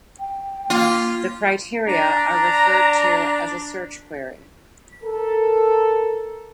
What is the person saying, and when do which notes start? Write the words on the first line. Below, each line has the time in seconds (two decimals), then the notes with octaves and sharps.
The criteria are referred to as a search query.
0.19 G5
0.70 A#3 F4
1.87 D4 A#5
5.03 A4 A#4